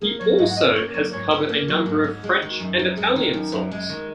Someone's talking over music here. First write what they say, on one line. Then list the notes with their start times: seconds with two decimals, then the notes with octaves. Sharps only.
He also has covered a number of French and Italian songs.
0.02 A#3 G#4
0.20 F#3 C#5
0.38 G#2 D#5
0.50 F#5
0.57 C#4 D#5
0.75 A#3 C#5
0.94 F#3 C#5
1.12 G#2 C#5
1.31 C#4
1.49 A#3
1.68 F#3 F#4
1.86 G#2
2.04 C#4
2.24 G#3 G#4
2.42 D#3
2.51 F#4
2.60 F#2
2.79 F#2 D#4
2.97 G#3 G#4
3.15 D#3 D#4
3.33 F#2 D#4
3.52 F#2
3.71 G#3
3.89 D#3